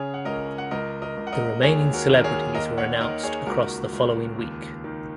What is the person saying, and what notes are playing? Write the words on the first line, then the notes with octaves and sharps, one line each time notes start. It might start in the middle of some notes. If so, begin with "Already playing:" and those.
The remaining celebrities were announced across the following week.
Already playing: C#3 G#4 C#5
F#5
C#2 A#4 D#5
F#5
C#2 A#4 D#5
A#4 D#5
C#2
F#5
A#4 D#5
D#2 G#4 C#5
F#4 A#4
D#2
A#4
G#4 C#5
D#2 A#4 D#5
C#5 F#5
D#3 A#4 D#5
G#4 C#5
C#2 F#4 A#4
C#2
D#2
D#3